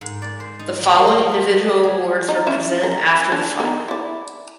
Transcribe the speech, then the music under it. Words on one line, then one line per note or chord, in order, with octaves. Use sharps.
The following individual awards were presented after the final.
G#2
D5
C5
D#4
F#3
A#3
A#4
B4
G#4
D#4
E3 C#4 E5
C#4 A#4
D4
B3 D#4 A#4
E4 D5